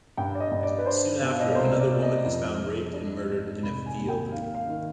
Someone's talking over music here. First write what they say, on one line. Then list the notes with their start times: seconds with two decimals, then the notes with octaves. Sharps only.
Soon after, another woman is found raped and murdered in a field.
0.17 G2 G5
0.35 D5
0.40 D#5
0.52 G2
0.63 D5
0.78 B4
0.86 D4 C5
1.22 B2
1.31 F5
1.40 D#5
1.48 D5
1.55 C2 C5
1.79 D5
1.90 C2
2.02 D#5
2.25 F2
2.59 F2
2.93 D4
3.28 G#2
3.63 F1 B5
3.86 G#5
3.97 D#2
4.08 G5
4.31 D#3 F5
4.55 F5
4.66 D#3